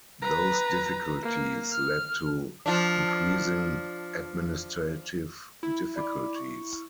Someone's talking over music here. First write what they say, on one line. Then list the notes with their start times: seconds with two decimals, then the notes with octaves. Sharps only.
Those difficulties led to increasing administrative difficulties.
0.22 B4 A#5
1.23 A#3
1.72 F6
2.66 F3 D4
5.63 E4
5.96 D5 B5 D6
6.35 C#6